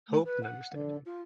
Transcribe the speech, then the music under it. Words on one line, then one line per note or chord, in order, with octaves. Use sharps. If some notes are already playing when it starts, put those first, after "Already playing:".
Hope and understanding,
A3
B4
F#5
D3
F4